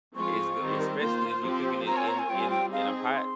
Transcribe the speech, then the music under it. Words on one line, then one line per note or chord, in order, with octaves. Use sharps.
it's g especially if you cooking it in in in a pot,
F3 G#3 C4 F4 C#6
D#3 G3 C4
A#3 F4 C5 C6
F3 C4 G4 C5
C4 F4 A#4 C#5 A#5
G#5
A#5
G#5
G3 C4 F4 G5
G#5
G5
C4 D#4 G#4 F5
C6